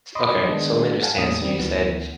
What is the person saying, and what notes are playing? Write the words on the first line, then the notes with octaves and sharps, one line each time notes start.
S okay, so let me understand, so you said
D#5 B5 C6 D6 D#6
D#3 G#3 B3 D4
F5 F#5 G#5 A5
E2 A2 G3 A#3 C#4 D#6
D#3 G3 C4
D2 E3 B3 F#5